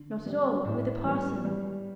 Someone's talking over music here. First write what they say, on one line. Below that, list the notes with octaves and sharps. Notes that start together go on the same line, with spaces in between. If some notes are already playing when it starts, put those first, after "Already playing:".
"Not at all; with a parson."
Already playing: D3
G3 D4 G4
A2
G3 B3
G3